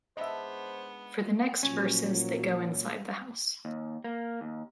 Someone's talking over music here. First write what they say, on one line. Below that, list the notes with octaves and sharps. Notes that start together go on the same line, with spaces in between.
For the next verses they go inside the house.
G#2 B3 D4 C5 D#5 E5 A5
A#2 F3 F#3 C#4
D#2
A#3
D#2